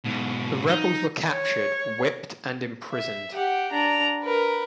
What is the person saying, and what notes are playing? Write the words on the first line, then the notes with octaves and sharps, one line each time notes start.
The rebels were captured, whipped, and imprisoned.
G#2 B2
D#4
C#5
E5
G4 F#5
D4 A#5
A#4 B4